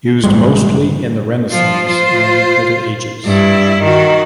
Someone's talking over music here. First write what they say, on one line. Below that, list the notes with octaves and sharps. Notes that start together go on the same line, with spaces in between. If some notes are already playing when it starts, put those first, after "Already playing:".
Used mostly in the Renaissance and Middle Ages.
A1 G2 G3 G#3
F3 F4
F4 C5
G2 E4
D#3 F#4